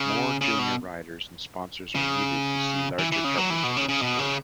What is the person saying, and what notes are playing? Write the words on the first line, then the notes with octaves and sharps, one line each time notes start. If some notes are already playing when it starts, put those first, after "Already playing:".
More junior riders and sponsors are needed to see larger coverage of this sport.
Already playing: C#3
C#3
B2
C#3
E3
E3
C#3
F#3
E3
B2
C#3
C#3
B2
C#3